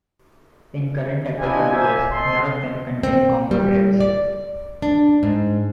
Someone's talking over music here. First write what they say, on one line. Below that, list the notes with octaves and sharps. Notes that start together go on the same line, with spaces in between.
In current Apple computers, none of them contain combo drives.
D4 E4 F4 G4 D#5 G#5
A#3 C5 E5 G#5
C4 A4 D#5 C6
C4
G3
D5
D4
G#2